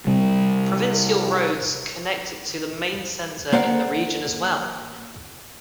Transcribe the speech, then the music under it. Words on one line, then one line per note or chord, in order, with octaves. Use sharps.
Provincial roads connect it to the main centre in the region as well.
C3 G3
A#3 C5 D5 F#5